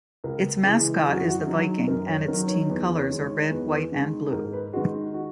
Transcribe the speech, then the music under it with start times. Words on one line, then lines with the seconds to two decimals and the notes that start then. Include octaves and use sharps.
Its mascot is the Viking, and its team colors are red, white and blue.
0.24 C#2 A#4
0.65 C#3 E3 G#3 G#4
1.06 F#2 G#4
1.14 F#4
1.21 E4
1.28 F#4
1.46 D#3 F#3 G#4
1.87 F#2 A#4
2.08 C#5
2.28 D#3 F#3 A#4
2.48 C#5
2.70 E2 B4
2.96 C#5
3.10 D#3 G#3
3.24 C#5
3.51 E2 B4
3.92 D#3 G#3
4.33 G#2 A#4
4.53 B4
4.73 G#3 F#4
4.77 D#3
5.14 F#4